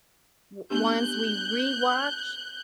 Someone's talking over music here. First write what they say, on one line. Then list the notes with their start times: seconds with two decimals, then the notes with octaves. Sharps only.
o ones we rewatch
0.70 B3 D4 G4 F#6 G6